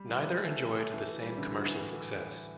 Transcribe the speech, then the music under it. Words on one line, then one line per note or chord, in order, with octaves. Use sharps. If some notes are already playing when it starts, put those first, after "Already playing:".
Neither enjoyed the same commercial success.
Already playing: G3
E3
E3
A3
E3
E3
A3
E3
E3
G3
D3
F#4
E3
A2